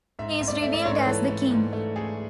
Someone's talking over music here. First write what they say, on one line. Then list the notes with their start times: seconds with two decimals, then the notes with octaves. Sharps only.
He is revealed as the King.
0.19 G#2 E5
0.41 G#2
0.48 D5
0.62 A3 E5
0.73 D5
0.85 G#2 C#5
0.97 B4
1.07 E3 A4
1.29 A3
1.51 G#2
1.73 A3
1.96 A3 G#4